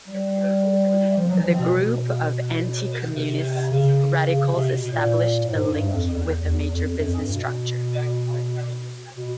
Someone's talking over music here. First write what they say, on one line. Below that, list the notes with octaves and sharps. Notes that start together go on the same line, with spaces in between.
The group of anti-communist radicals established a link with a major business structure.
G3
F3
F#3
E3
F3
B2
B2
C3
C#3
C#3
C3
B2
A#2
A2
G#2
G2
F2
E2
E2
F2
F2
F#2
F2
G2
B2
B2